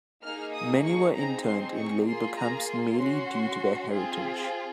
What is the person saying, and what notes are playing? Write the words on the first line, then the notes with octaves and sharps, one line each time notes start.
Many were interned in labor camps merely due to their heritage.
A#3 D#4 G#4 F6
D#6
C#6
C4 D#4 G#4 A#5
C6
C#6
A#3 F4 G#4 C6
A#5
C6
C#4 F#4
C4 F4 G#4